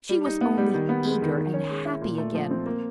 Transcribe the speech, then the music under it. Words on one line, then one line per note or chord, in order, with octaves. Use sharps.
She was only eager and happy again.
G3
D#4
B3
G3
D#3
B3
G#3
D#3
D#3
C#4
G#3
E4
A#2
A3
F3
C4
A#3